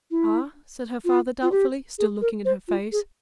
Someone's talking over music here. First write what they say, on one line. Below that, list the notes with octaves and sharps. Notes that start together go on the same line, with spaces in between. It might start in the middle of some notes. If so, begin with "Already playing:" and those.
"Ah?" said her father, doubtfully, still looking in her face.
E4
F4
F4
G4
G#4
A#4
C5
F4
G#4